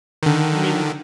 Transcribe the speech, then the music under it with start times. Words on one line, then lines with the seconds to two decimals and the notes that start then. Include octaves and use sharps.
I mean
0.23 D3 D#3